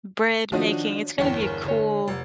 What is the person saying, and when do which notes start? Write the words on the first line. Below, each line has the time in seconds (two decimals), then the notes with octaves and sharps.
bread making, it's gonna be a cool,
0.52 D#3 F3 D4 F#4 C#5 D#5
1.19 G1 E2 C#5 F#5 G5
1.43 A#4 B4
1.65 D3 C#5
2.08 F1